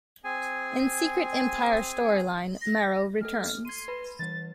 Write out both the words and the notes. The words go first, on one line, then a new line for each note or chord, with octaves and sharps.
In Secret Empire storyline, Marrow returns.
C4 G#4 G#5
A#6
A3 A#3 A4 F6
C6 G#6 D#7
B4 B5
E3 G3 A6